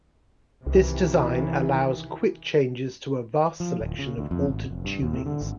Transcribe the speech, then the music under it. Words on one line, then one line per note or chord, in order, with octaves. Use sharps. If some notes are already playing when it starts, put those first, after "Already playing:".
This design allows quick changes to a vast selection of altered tunings.
C2 C3 D#3 E3
F3
D1
C#3
D2
F2
G#1
F1
G2
D#2
C3
D3
G#1